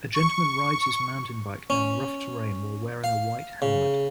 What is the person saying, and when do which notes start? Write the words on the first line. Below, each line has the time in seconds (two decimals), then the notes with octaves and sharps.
A gentleman rides his mountain bike down rough terrain while wearing a white helmet.
0.14 C#6
1.70 C#4
3.04 F5
3.62 C#3